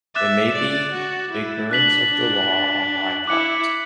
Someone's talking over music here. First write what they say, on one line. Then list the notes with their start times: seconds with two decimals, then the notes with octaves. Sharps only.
It may be ignorance of the law on my part.
0.15 E5 D6 F#6 A6 E7
0.55 D5
0.93 F#4
1.32 E4
1.71 D4 F#6 B6 F#7
2.11 D4
3.27 E4 D6 F#6 C#7